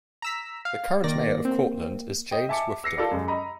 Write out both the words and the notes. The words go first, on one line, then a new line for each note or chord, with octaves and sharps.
The current mayor of Cortland is James Woofter.
A#5 E6 B6
F5
D#3 A#3 D5 A#6
C4
D#5 G5
E5 G#5 A5 D6 C#7
E6 A#6 C7 C#7
F4 A4 A#4 D5 F5
F#2 G#3
D#5 A#5 B5